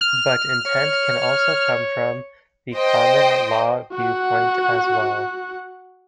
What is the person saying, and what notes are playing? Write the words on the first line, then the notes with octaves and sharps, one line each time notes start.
But intent can also come from the common law viewpoint as well.
F6
C#5
C5 D#5 G5
F#4 F#5